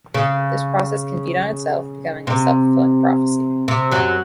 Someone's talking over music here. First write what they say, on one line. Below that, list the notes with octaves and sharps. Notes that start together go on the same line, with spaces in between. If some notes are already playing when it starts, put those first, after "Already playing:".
This process can feed on itself, becoming a self-fulfilling prophecy.
C#3
C3
C3
F#2 F#3